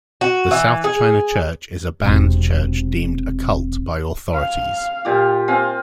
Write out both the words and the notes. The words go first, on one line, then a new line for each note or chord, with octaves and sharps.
The South China Church is a banned church deemed a "cult" by authorities.
F#4
E3
G#4
E1 C3
F5
A#2 F4 G4
C4 F5 G#5